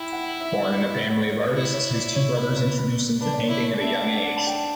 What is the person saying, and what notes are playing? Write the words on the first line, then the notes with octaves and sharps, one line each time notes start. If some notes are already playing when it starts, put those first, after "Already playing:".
Born in a family of artists, his two brothers introduce him to painting at a young age.
Already playing: E4 G5
F#5
E5
D5
C#5
C#5
E4 B4
C#5
D5
C#5
B4
B4
B4
D4 B4
D5
C#5
E4
C#5
D4
E5
F#5
F#5
A5
G5